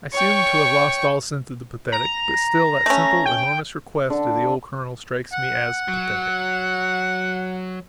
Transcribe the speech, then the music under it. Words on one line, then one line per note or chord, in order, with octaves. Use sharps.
I seem to have lost all sense of the pathetic; but still, that simple, enormous request of the old colonel strikes me as pathetic.
C#5 G5 C#6
A#5
A3 C#4
G5
D3
F#5
F#3